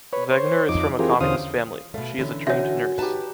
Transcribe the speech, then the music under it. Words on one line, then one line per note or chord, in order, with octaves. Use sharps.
Wegner is from a communist family, she is a trained nurse.
B4 C#5
C5 C#5
F2 D#4 D6
E3 C4 F4 G4 G#4 A#4
E2 D3 C#4 C5 F5 D#6
B2 A3 F5
D3 E3 C#4
F#4 C#5 E5 G#5
D#4 G4 B4 A5